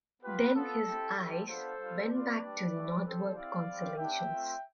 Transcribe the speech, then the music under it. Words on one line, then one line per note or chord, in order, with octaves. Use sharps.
Then his eyes went back to the northward constellations.
B3 F4 G4 B4
B3 F4 A4
C4 E4 G4
G3 C4 E4 G4 A4
B3 D4 F4 A4 C5
G3 D4 F4
C4 F4 B4 D5
G3 D4 G4
A3 E4 G4
C4 G4 A4 C5
C4 E4 G4 D5 F5
G3 C4 G4
B3 D4 G4 E5 G5
A3 C4 F4